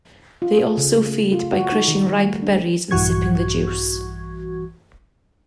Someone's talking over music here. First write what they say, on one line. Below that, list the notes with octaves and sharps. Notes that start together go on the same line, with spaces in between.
They also feed by crushing ripe berries and sipping the juice.
F4
G#4
C#3
A3
F4
F#4
D#4
D#3
G3
A3
D4
A#1 G2 E3 F#4 C#6 G#6